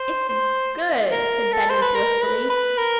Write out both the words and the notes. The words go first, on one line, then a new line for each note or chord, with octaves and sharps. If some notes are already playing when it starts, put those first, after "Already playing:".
"It's good," said Benny blissfully.
Already playing: C5
C5
A#4
A4
C5
B4
A#4
B4
B4
A#4